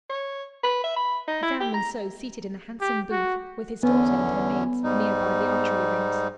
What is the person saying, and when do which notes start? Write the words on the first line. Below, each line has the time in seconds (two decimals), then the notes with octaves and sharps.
He found Monceux seated in a handsome booth, with his daughter and her maids, near by the archery rings.
0.10 C#5
0.63 B4
0.84 E5
0.96 B5
1.28 D#4
1.43 E4
1.60 G4
1.74 A#5
2.81 G4
3.11 F#4
3.83 E2 D3 B3 C#4
4.83 G#2 G3 D#4